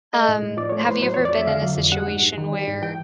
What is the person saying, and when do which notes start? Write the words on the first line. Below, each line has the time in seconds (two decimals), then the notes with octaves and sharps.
Um, have you ever been in a situation where,
0.13 A3 D#5
0.28 A2
0.42 A2
0.57 F3 D5
0.69 A3 C#5
0.80 C5
0.88 A2 B4
1.02 F#3 C5
1.14 F2 C#5
1.25 D5
1.33 F2 E5
1.47 D3 F5
1.62 F#3
1.77 F2
1.92 G3 F#5
2.08 G#2
2.23 G#2
2.37 D#3
2.52 G3
2.68 G#2
2.82 E3 G5